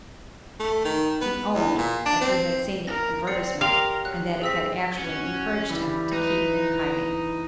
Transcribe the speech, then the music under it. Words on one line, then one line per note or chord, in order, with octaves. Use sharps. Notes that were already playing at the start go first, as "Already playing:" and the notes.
He owned that he had seen the advertisement, and that it had actually encouraged him to keep in hiding!
A3
D#3
B3
E2
A#2
D4
C4
A#4 A#6
C4 D5 C7 C#7
G4 A#4 F5 G5 C6
F#3 F#6
C4 G#4 E6 B6
C#4 F#4
E3 G3
D#4 B4